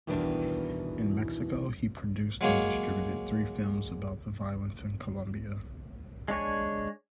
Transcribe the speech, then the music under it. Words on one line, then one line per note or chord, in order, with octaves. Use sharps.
In Mexico he produced and distributed three films about the violence in Colombia.
E2 B2 D#3 E3 G3 D4
F#3 G#3 A#3 C#5
G#3 D4 C#5 G#5